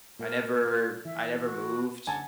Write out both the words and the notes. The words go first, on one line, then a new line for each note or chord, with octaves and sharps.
I never I never moved.
A#2 A#4
F4
E3 E5
F#4
F#1 D3 F#5 G#5 A5